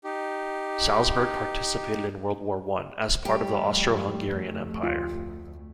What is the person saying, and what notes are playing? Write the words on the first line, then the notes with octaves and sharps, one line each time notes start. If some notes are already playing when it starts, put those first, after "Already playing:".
Salzburg participated in World War One, as part of the Austro-Hungarian Empire.
D#4 G4
F2 G3 A3 G4
D2 F4